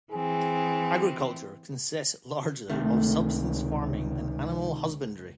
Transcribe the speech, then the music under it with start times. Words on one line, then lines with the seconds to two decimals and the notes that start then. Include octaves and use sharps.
Agriculture consists largely of subsistence farming and animal husbandry.
0.12 E3 C4 G#4
2.70 C#2 C3 D#3 A3